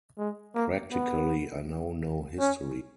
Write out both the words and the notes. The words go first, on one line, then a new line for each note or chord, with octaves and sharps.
Practically I know no history.
G#3
A#3
B3
C#4